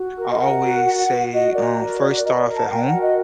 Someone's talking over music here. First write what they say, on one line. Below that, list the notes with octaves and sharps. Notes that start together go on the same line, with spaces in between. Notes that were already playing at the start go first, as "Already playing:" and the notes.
I always say, um, first, start off at home,
Already playing: F#4
A#4
D#5
A#4 F#5
F#4
F#4
F#4
F#4 D#5
A#4 D5
F#4
A#4
A#4 D#5
D5
A#4
A5
F#5
A#4 G5
F#5
F#4
D#5